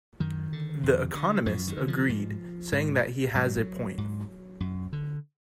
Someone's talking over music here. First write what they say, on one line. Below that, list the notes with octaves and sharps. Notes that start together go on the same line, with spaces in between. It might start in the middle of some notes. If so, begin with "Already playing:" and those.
"The Economist" agreed, saying that he "has a point".
F#2 D#3
D3
F2
D3
F#2 F3
D#3
D3
F3
G#2
G#2
G#2 F#3
G#2
F#2
D3